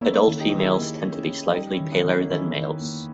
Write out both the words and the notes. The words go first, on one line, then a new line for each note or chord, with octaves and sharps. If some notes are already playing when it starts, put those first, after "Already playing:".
Adult females tend to be slightly paler than males.
A#3 C#4 E4
D#3
D#4 G4
D#3
E4 G#4
A#3
C#4
C#4
G3 D#4 G4
C#4 E4
D#3
B3 D#4
D#3
A#3 C#4
D#3 C#4 E4
D#3
A#3